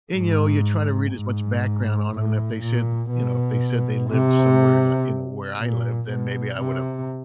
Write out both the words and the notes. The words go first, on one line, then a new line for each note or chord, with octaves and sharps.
and, you know, you try to read as much background on 'em, and if they said you know, if they said they lived somewhere li you know, where I lived, then maybe I would've eh
G#2
G#2
A2
A#2
B2
C3
A#2
B2
C3